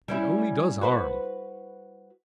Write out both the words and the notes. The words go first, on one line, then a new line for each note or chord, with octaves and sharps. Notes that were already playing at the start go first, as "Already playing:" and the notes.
It only does harm.
G3 C#4 E4
F#4 B4 C5